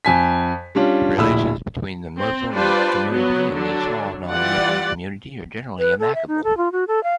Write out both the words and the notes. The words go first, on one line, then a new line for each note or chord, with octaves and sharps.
Relations between the Muslim community and the small non-Muslim community are generally amicable.
F2 G#5 B6
G3 C#4 D4 F4
D1 A#1 E4 B5 E6
C4
G3 D4 F4 B4 C5 D5
F#3 B3
D3 F#3 D4
E3 G3 F4 D5 F#5
B4
A4
E5
D#4
A4
F4
F#4
A4
F5